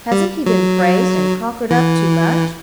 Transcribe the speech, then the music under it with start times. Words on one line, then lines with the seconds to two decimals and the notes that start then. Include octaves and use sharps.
Hasn't he been praised and cockered up too much?
0.12 G3
0.46 F#3
1.71 E3